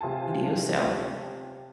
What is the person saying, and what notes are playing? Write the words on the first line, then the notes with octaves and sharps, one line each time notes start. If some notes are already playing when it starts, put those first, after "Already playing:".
you, so,
C3 F4 G#5 A5